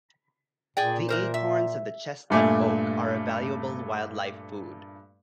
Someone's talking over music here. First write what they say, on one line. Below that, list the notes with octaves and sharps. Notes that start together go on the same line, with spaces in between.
The acorns of the chestnut oak are a valuable wildlife food.
A#2 G#4 D5 G5
E3 A#4 C5
E5
G2 A#2 A3 G#5 D6